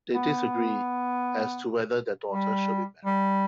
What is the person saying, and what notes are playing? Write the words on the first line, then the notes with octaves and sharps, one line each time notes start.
They disagree as to whether their daughter should be married.
B3
G3
G3